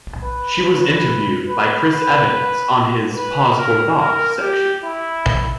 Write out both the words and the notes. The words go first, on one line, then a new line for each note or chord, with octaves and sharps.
She was interviewed by Chris Evans on his "Pause for Thought" section.
B4
B4
B4
B4
B4
A#4
A#4
G4
E4